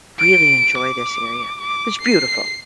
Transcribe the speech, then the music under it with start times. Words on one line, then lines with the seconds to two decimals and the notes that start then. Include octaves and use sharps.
really enjoy this area. It's beautiful.
0.20 D7
0.79 D6
1.62 D6
2.01 C7